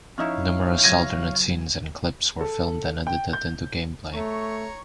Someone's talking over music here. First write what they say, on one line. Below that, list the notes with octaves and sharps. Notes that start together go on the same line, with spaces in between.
Numerous alternate scenes and clips were filmed and edited into game play.
F3 C#4 D#4 E4 C#5 F5
C#3 F#3 B3 G#6 A#6 D#7
A4
G5
G6
A3 C#5 A#5 C#6